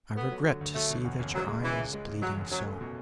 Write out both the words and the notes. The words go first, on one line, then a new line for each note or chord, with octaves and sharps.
I regret to see that your eye is bleeding so.
A3 B3
F#3
D3
D2
F#3 A3
B2
E2
F#1
C#2 F#3
G#3
C#3 E3
C#2
G#3
C#3
E2 F#3
F#1
F#3 C#4
A3
B2